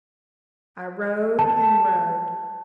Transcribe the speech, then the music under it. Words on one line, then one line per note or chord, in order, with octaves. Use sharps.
I rode and rode.
A5